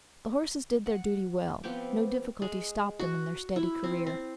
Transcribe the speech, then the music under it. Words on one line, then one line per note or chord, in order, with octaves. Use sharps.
The horses did their duty well, no difficulties stopped them in their steady career.
F#5
F3 B3 C4 G4
G#3
F#4
E4
C4
C4